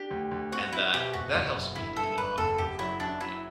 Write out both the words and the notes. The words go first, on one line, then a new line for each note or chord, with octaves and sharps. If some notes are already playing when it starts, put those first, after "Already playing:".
and that, that helps me to get it off really well in the morning.
Already playing: D4 G4
D2
D2
C4 F#4
C4 E4
B2 G4
F#1 F#4
F#1
F#2
G1 E4
G2 A4
G1 B4
F#1 A4
F#1 G4
F#3 E4
F#2 D4
F#3 E4